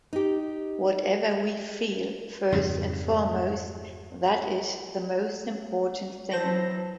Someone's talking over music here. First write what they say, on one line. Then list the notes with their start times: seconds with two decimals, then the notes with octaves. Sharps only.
Whatever we feel, first and foremost, that is the most important thing.
0.13 D#4 G4
2.52 F2 G#2 C#3
6.31 E3 F#3 C5 A5 A#6